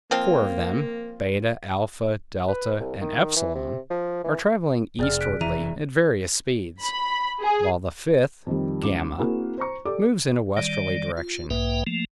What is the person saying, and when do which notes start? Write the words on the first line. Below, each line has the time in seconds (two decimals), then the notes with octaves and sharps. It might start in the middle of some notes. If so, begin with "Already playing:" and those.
Four of them, Beta, Alpha, Delta, and Epsilon are traveling eastwardly at various speeds, while the fifth, Gamma, moves in a westerly direction.
0.11 F3 A#3 C4 F4
2.48 B4
2.80 C2
3.01 D#3
3.36 E3
3.55 C3
3.90 F3
4.24 E3
4.99 F1 G#4 D5 F6
5.21 F#6 B6 D7
5.41 F1 E3 E5 A#5 D#7
6.81 B5
7.41 G#4
8.46 F2 D#3 G3
8.82 C#2 D6 E7
9.19 A#3 C4 E4 F#4 G#4
9.58 C5 A#5 C#6
9.85 G4 A4 D5 D6
10.57 D#3 G3 D5
11.17 F4
11.50 B1 G#2 A#3 B4 E5 G5
11.87 F3 A3 A#3